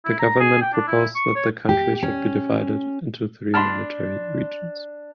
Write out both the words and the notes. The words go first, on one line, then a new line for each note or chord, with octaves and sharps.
The government proposed that the country should be divided into three military regions.
E4
A#5
G#4
G5
D4
E4
C#6
C#5
G4
C#4
D4 A5 B5 C6 F6